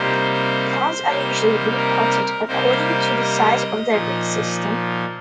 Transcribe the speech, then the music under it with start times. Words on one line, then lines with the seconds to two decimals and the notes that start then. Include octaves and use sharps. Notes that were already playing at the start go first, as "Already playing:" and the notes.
Plants are usually re-potted according to the size of their root system.
Already playing: C3 G3 A#3 D#4 C5
0.34 C5
0.70 C5
1.05 C3 G3 A#3 D#4
1.77 A#4
2.48 C3 G3 A#3 D#4 C5
3.20 D#5
3.90 A#2 F3 D#4